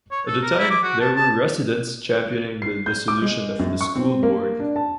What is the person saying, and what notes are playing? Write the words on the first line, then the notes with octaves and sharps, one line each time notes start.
At the time there were residents championing the dissolution of the school board.
C#5
A4
A#4
E4
D6
F#4
A5
A5
C7
G6
D6
G#3
F#2
C#6
C4
A#3
D4
A5